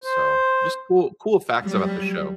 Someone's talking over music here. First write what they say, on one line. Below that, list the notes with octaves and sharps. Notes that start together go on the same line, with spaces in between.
So, just cool cool facts about the show.
C5
F#3 G3